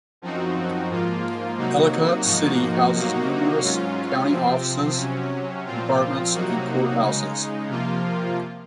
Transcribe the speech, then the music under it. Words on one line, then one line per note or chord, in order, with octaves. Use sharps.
Ellicott City houses numerous county offices, departments, and courthouses.
F#2 F3 C4 D#4 F#4
G#2 F3 A#3 F4
C3 F#3 A#3 D#4 F#4
G#2 F3 A#3 D#4 F#4
C3 F#3 A#3 D#4 F#4
G#2 F#3 C#4 F4
C3 F3 C4
C3 F#3 C#4
A#2 F3 C4 F4
C3 F#3 A#3 D#4 F#4
C#3 G#3 D#4
C3 F3 A#3 F4